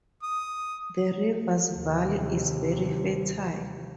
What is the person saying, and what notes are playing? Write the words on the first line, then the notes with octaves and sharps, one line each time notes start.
The river's valley is very fertile.
D#6
D#2 C3